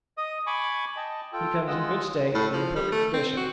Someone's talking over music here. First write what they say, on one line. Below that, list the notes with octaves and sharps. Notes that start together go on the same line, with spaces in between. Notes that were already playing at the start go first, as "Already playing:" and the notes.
He comes in good state, and in perfect condition.
D#5 D#6
G#5 B5 C#6 D6
D#5 G5 A5
F4 A4 G5
G#3 F4 D#5 F#5 E6
A2
F3
G3
A3
C4
F#4